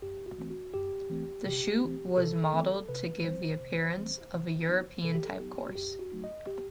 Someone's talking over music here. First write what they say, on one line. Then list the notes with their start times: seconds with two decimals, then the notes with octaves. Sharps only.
The chute was modeled to give the appearance of a European-type course.
0.02 F#2 G4
0.26 F#4
0.38 E3 A3 C4
0.50 F#4
0.74 F#2 G4
1.10 E3 A3 C4
1.46 C3 G4
1.82 E3 A3 C4
2.17 C3 A4
2.53 E3 A3 C4
2.89 C3 B4
3.24 E3 G3 C4 C5
3.61 C3
3.97 E3 G3 C4
4.33 C3
4.68 F#3 B3 D#4
5.04 C3 A4
5.15 G4
5.24 A4
5.40 F#3 B3 D#4 G4
5.68 F#4
5.76 F#2 G4
5.99 F#4
6.11 F#3 A3 D#4
6.24 D#5
6.47 G4